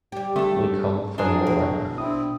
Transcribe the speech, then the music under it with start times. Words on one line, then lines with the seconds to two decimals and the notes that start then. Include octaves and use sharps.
We come from Millena.
0.12 G3 G4
0.36 D3 A3 C4 A4
1.18 A2 F#3 D4 G#4 A#4
1.47 B2
1.98 C4 D4 E4 D#6